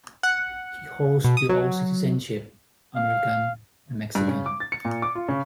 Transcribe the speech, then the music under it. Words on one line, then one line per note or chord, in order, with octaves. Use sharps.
He holds dual citizenship - American and Mexican.
F#5
B2
D#6
F#3
F5
G2
C#3
D6
A6
C#7
A#2
D6
F4
C#3